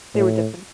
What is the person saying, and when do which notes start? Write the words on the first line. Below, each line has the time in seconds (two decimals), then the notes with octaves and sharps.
They were different.
0.14 A2